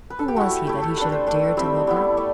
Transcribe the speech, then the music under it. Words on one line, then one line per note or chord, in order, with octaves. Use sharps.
Who was he that he should have dared to love her?
B4
A4
G4
A3 E4 F#4
G4
A3 E4 G4
A4
A3 D4 B4
C5
A3 D4
G3 C4 E4 E5
G3 B3 E4 D5
A3 D5